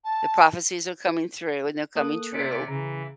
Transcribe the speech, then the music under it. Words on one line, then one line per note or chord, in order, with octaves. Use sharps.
the prophecies are coming through, and they're coming true.
A5
A#3 A4 D#6 F#6
C3 C#4 D5 B6 C#7 D7
C#3 E3 A#5